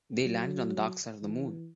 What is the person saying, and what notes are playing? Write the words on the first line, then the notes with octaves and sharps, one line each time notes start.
They landed on the dark side of the moon.
F#3
E3